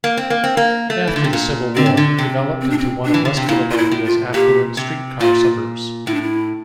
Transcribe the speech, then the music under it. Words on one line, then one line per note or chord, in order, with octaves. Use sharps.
After the Civil War, it developed into one of West Philadelphia's affluent streetcar suburbs.
A#3
C4
A#3
C4
A#3
A3
E3
D3
C3
A#2
D3 C4
C3
D3
C3 D4
C4
D4
C4
D4
E3
D3
C3
A#2 E4
F4
E4
A2
F4
A#2 G4
C3
A#2 F4
A2 E4
D4
E4